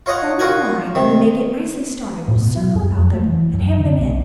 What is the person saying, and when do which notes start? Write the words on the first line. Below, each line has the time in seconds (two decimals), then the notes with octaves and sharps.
Form in line and when they get nicely started, we'll circle about them and hem them in.
0.06 F4 C#5 D#5 F#5 A#5
0.39 F4 F#4 A#4 F#5 G#5
0.95 C3 D#3
2.28 A2
2.40 B2
2.57 F#3
2.75 F#2
2.91 F2
3.13 A3
3.26 E3
3.53 F#2
3.79 D3
3.99 B1